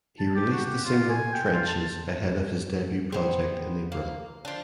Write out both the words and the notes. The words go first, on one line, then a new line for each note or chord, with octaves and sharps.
He released the single "Trenches" ahead of his debut project in April.
A5
G4
F#4
G4
F4
G#5
G5
F4
A5
B3 C4 G#4 C5
A#3
F3 D4